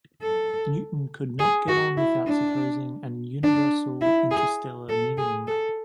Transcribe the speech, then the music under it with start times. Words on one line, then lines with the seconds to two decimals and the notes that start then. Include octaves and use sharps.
Newton could not get on without supposing an universal interstellar medium.
0.23 A4
1.39 G#4
1.68 F#4
1.97 E4
2.27 D4
3.43 D4
4.02 E4
4.31 G#4
4.89 A4
5.18 G#4
5.47 A4